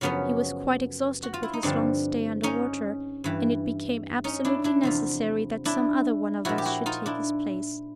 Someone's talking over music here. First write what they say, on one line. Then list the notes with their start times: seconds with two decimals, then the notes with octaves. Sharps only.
He was quite exhausted with his long stay under water, and it became absolutely necessary that some other one of us should take his place.
0.01 F#2 C#3 F3 B3 C#4
1.23 F#4
1.34 F4
1.43 E4
1.53 D#4
1.63 G2 D3 F3 C4 D4
2.43 C#4 D#4
3.24 G2 E3
4.24 C#4 D#4
4.45 D4 E4
4.64 D4 E4
4.83 E2 C3 F3
5.65 D4 E4
6.45 A#2 F3 E4 F#4
6.58 G4
6.65 E4 F#4
6.86 D#4 F4
7.06 D4 E4